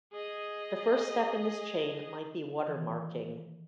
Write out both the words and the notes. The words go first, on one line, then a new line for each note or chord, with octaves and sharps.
The first step in this chain might be watermarking.
G#4 D#5
D#3 E3